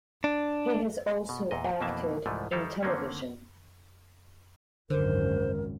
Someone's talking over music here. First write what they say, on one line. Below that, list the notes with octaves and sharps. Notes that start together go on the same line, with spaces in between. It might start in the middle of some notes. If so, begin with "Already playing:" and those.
He has also acted in television.
D4
B2
E2 A#2 D#5
F2 B2 E3 A#3 E5 A5
C2 G#2 E3 F3 A3
D#3 G3 D#4 E4 A4 F5
D3 D#3 A#3 C4 C#4
G#1 C#2 F#2 D3 A#4 C5